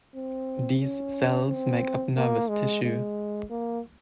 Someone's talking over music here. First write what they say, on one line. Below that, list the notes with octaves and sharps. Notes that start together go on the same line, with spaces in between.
These cells make up nervous tissue.
C4
C#4
C4
A#3
G#3
G#3
A#3